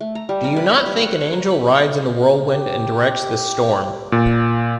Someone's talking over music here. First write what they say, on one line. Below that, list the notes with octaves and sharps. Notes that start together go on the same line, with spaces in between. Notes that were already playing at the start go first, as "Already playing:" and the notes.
Do you not think an angel rides in the whirlwind and directs this storm.
A3
A#5
G3
A#4
B4
B5
G3
F#5
C#5
A#5
B5
G4
A#2